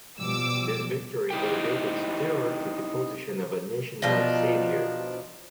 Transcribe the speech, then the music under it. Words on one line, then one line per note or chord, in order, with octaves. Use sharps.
This victory elevated Sture to the position of a national savior.
B2 F3 G3 D6 E6
C4 D#4 E4 G4 G5
B2 F3 D4 D#4